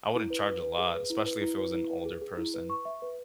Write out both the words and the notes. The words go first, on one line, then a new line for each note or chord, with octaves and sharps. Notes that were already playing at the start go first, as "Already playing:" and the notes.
I wouldn't charge a lot, especially if it was an older person,
E4
B4
B4
B4
G#4
B4
E4
B4
E4
B4
E4
B4
G#4
G#4
E4
B4
C#6
E5
B4